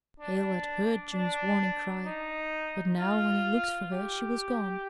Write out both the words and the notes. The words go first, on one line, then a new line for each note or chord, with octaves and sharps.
Hale had heard June's warning cry, but now when he looked for her she was gone.
D4
D4
D#4
F4
G4